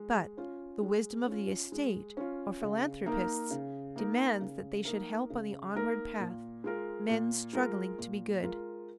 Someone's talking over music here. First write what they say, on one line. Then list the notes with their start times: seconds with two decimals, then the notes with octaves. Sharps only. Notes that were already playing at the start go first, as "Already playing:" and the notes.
But the wisdom of the Estate or philanthropists demands that they should help on the onward path, men struggling to be good.
Already playing: G#3
0.37 C#4 F4
0.83 G#3
1.27 C#4 F4
1.72 G#3
2.17 C#4 F4
2.61 C#3
3.06 A#3 D#4 A#4
3.51 C#3
3.96 A#3 D#4 A#4
4.41 C#3
4.85 A#3 D#4 A#4
5.30 C#3
5.75 A#3 D#4 A#4
6.20 A#2
6.64 G#3 F4 A#4
7.09 A#2
7.53 G#3 F4 A#4
7.98 A#2
8.43 G#3 F4 A#4